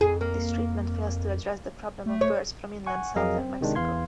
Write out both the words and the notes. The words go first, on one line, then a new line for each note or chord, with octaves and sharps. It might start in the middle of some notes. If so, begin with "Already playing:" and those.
This treatment fails to address the problem of birds from inland southern Mexico.
F2 G#4
A#3
A3
C#5
F#5 G#5 C#6
F2 F#3 G#4 A#4 D#5 F5
C4
C3 D#3 G#3 D4
E2 E3 F5 C6 G#6